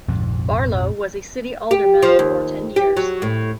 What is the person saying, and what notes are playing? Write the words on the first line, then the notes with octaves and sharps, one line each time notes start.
Barlow was a city alderman for ten years.
A#1 F2 G#2 C3
G4
F3
D#2
G4
F#3
A2